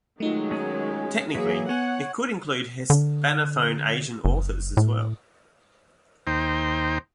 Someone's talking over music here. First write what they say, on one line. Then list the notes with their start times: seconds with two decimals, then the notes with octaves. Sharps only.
Technically, it could include hispanophone Asian authors as well.
0.20 D#3 F#3 G#3 A3 D#4 F4
0.51 C#4 G#4
1.35 E3 F#3 A#3 G#4 B6
1.69 B3 C#5 F#5 G#5
2.90 D3
4.25 F#1
4.77 A2
6.27 D#2 D#4 C5 G5